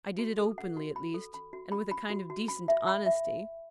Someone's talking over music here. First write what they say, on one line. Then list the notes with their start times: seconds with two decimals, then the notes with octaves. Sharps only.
I did it openly, at least, and with a kind of decent honesty.
0.19 F#4
0.38 A4
0.58 F#5
0.77 F#4
0.96 B5
1.14 A4
1.34 B5
1.53 F#4
1.72 B5
1.91 B5
2.10 F#4
2.30 F#4
2.48 B5
2.68 E5
2.88 B5
3.06 E5